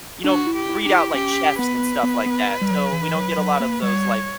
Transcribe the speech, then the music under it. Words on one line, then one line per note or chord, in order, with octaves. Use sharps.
you know, b breed out, like, chefs and stuff like that. So we don't get a lot of those, like,
D4 F#4
E4
G4
E4
D4 G4
E4
C#4 G4
B3 B4
B3
B3
G3
F#3
E3
E3
F#3
F#3
A#3
G3 C#5